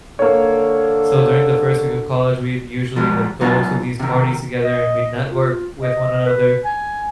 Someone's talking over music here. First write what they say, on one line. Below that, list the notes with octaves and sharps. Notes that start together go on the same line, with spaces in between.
so during the first week of college, we'd usually, like, go to these parties together, and we'd network with one another,
D3 A#3 C#5
F3 G3 G#3
F#3 B3 D4 D#4 F4
C3 D#3
D#5
F4
D#5
B4
G#5